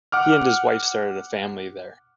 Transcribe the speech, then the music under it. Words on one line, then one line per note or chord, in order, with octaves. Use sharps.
He and his wife started a family there.
F#5 D6 F6